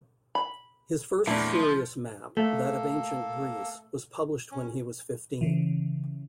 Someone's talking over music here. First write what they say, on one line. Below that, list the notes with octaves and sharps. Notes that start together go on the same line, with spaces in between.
His first serious map, that of Ancient Greece, was published when he was fifteen.
B5
E2 A#2 A3 D4 E4
F3
A3 A#3 A4
C#4
C#3 E3